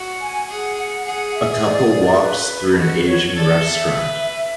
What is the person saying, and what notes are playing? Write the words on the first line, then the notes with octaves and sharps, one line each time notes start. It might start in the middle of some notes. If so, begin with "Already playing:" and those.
A couple walks through an Asian restaurant.
Already playing: F#4
G#5
G#4 F#5
F#5
G#4 F#5
E5
D5
B4
A4
F#4 B4
C#5
C#5
A4 D5
D5
E5
B4